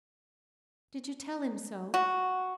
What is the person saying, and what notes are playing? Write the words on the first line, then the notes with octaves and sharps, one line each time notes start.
"Did you tell him so?"
F#4